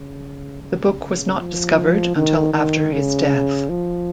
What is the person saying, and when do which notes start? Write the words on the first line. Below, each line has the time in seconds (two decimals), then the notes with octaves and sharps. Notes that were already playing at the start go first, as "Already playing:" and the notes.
The book was not discovered until after his death.
Already playing: C#3
0.62 C#3
1.39 F3
2.16 D#3
2.53 D#3
2.92 C#3
3.69 F3